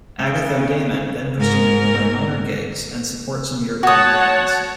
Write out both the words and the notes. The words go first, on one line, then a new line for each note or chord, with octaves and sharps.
"Agathodaimon" then proceeded to play minor gigs and support some European bands.
C#3
G#2 A#4
F#4 C#5 F#5 A5 D#6